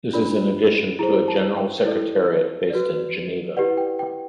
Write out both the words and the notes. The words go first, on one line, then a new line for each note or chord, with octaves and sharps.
This is in addition to a General Secretariat based in Geneva.
D4 F4 A#4 D5 B5
E4 G#4 C5 A#5
A5
G5
E4 A4 D5
F#4 B4 D5
E4 G4 B4 D5 F#5
G5
G5